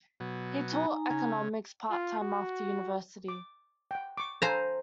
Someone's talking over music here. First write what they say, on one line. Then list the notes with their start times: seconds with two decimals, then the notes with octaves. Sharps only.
He taught economics part-time after university.
0.20 B2 F#3
0.72 D#4 G#5 A#5
1.10 C#3
1.91 F4
2.21 F#4
3.28 D6
3.91 F#5 G5
4.17 C#6 D6
4.42 A4 C5 F5 G#5 A#5